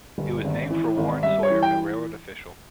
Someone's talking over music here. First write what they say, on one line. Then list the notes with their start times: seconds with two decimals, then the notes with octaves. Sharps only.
It was named for Warren Sawyer, a railroad official.
0.18 G1
0.44 G#1
0.71 E3
0.97 G#1
1.23 G3 E5
1.43 C#5
1.50 E3
1.63 G5